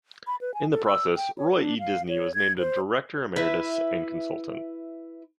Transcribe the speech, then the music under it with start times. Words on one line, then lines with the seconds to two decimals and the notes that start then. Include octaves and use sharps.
In the process, Roy E. Disney was named a Director Emeritus and Consultant.
0.27 B5
0.41 B4
0.54 G#5
0.72 A4
0.85 E6
1.16 G5
1.38 C#5
1.57 D4
1.80 F5
2.09 C#5
2.35 G#6
2.58 C5
3.36 E4 B4 E5